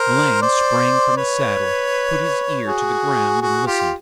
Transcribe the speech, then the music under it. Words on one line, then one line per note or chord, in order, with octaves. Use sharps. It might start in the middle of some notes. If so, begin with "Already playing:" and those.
Milan sprang from the saddle, put his ear to the ground and listened.
Already playing: A#4 C5
C5 D5
B4 C#5
F#4 G#4
F#4 G#4
F4 G4